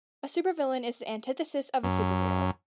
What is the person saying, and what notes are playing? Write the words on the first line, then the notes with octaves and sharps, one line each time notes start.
A supervillain is the antithesis of a superhero.
F#2